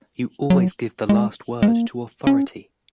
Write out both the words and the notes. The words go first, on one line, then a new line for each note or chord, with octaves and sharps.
You always give the last word to authority.
F#3
G#3
G#3
A#3
C#4